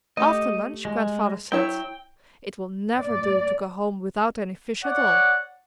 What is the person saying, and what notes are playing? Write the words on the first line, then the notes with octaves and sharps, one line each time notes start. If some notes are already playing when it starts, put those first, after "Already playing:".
After lunch Grandfather said, "It will never do to go home without any fish at all."
A3 G4 D#5
G#3
F#3 E4 C#5 G5
D5
C#5 D5 F#5